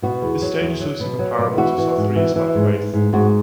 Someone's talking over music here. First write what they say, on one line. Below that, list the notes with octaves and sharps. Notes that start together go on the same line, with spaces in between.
This stage is loosely comparable to Sartre's bad faith.
B2 F#4
E2
F#3
E2
F#3
B2
F#3
B2
E3 F#4
E3
G#2
E3
E3
G#2
G#2
G#2
G#2 F#4